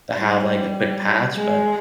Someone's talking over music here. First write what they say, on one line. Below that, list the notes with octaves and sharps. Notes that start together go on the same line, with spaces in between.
have, like, a quick patch, but
G3
G#3